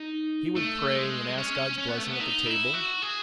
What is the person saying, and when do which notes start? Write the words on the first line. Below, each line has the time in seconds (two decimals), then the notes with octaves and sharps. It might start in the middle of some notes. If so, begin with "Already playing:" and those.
He would pray and ask God's blessings at the table.
Already playing: D#4
0.56 A3
0.96 G#3
1.38 C#4
1.78 C#4
1.88 B3
1.98 A3
2.08 B3
2.20 D#4
2.46 E4
2.74 F#4
3.02 G#4